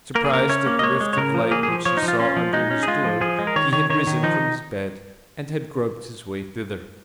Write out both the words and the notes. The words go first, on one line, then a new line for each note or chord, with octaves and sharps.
Surprised at the rift of light which he saw under his door, he had risen from his bed, and had groped his way thither.
A#3 A#4
G#4
C#3 A#4
C#4 C#5
A#3
D#5
G#3 C#5
G#3
C#5
C#3 A#4
F3
A#3 G#4
F3 G#4
F3 C#5
D#4
F3
F4
C#4 F4
F3
G#3 D#4
C#4
G#4
G#3 F4
F3
F3 G#4
G#3
A#4
D#3 C#5
D#3 C#5
D#3 C#5
D#3
F3 D#4